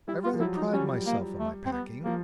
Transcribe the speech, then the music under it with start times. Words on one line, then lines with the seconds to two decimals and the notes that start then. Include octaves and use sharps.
I rather pride myself on my packing.
0.08 G3 E4
0.24 F4
0.34 F3
0.40 F#3 E4
0.57 D#4
0.73 G3 C#4
1.07 A#3
1.39 A3
1.66 C4
1.72 B3
2.05 F3 A#3